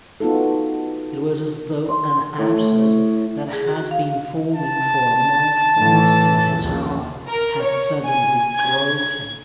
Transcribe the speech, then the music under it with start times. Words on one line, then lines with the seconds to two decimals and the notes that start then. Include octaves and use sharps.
It was as though an abscess that had been forming for a month past in his heart had suddenly broken.
0.20 B3 D#4 F4 F#4 A4
1.89 C6
2.38 A2 C#5
3.53 G#4
3.67 F#4
3.91 F5
4.56 A5
5.76 A2 E3
6.57 A#1 D#2 C#3
7.27 A#4
7.62 C#5
8.04 G#5
8.59 G#6